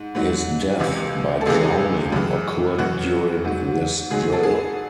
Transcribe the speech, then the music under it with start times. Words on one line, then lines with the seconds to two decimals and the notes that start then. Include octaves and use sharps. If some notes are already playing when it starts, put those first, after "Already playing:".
His death by drowning occurred during this drill.
Already playing: G#2
0.15 G#2 F#3
0.80 C#2 C3 E3
1.41 A4
1.46 C#2 C3 E3 G#4
2.12 F#2 E3
2.78 F#2 E3 F#4
3.45 G#2 F#3
4.10 G#2 F#3 G#4
4.32 A4
4.43 G#4